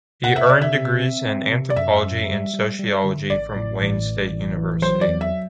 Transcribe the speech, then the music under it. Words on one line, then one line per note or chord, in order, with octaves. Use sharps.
He earned degrees in anthropology and sociology from Wayne State University.
C3 F#5
E5
C3 D5
E5
C3
C4
C4
C3
D5
F#2 E5
F#2
G3
G3
G3
D3
A1 D5
A2
A1
E3
A1
E3
F#3 C5
D5
E2
E5